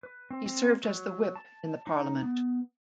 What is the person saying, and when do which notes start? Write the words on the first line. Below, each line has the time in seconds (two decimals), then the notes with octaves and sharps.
He served as the whip in the Parliament.
0.03 B4
0.30 C4
0.46 C4
0.84 F#3
1.36 A5
1.87 D#4
2.23 B3